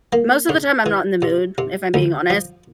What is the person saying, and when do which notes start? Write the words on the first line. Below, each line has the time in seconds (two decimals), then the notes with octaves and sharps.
most of the time I'm not in the mood, if I'm being honest.
0.13 A#3
0.49 C#3
0.86 E3
1.22 C3
1.58 C3
1.94 D2
2.30 F3